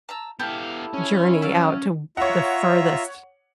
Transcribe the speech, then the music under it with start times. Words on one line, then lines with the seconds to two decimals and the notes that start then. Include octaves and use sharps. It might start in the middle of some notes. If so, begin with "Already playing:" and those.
journey out to the furthest
0.09 A5 A#5 E6
0.39 B3 E4 G4 A4 F5
0.94 C#4
1.42 F#3 E4 D5 F5
2.17 F4 C#5 E5 F#5 A#5